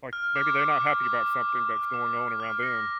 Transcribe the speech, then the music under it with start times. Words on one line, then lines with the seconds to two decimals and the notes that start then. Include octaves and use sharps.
Like, maybe they're not happy about something that's going on around them.
0.13 F6
0.35 D6
0.59 D6
0.80 F6
1.04 D6
1.26 D6
1.49 D6
1.71 F6
1.94 D6
2.17 F6
2.40 F6
2.63 A#6